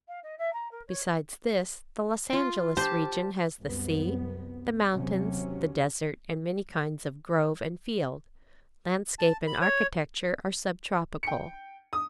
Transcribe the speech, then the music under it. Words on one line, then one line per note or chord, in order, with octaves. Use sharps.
Besides this, the Los Angeles region has the sea, the mountains, the desert, and many kinds of grove and field. Landscape and architecture are sub-tropical.
F5
D#5
E5
A#5
A#4
C#5
F4
G4 C5 A5
C2 F#2 B3
D#2 C3 F#3 C#4
A5
B5
C#5
G5 C#7
D#6